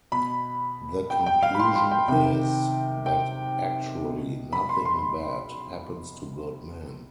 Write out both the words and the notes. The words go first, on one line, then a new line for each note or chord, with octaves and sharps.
The conclusion is that actually nothing bad happens to good men.
B2 B5
G5
G5
F5
B5
C6
C6
G5
C3 D#3 G5
G5
B2
B5
C6
C6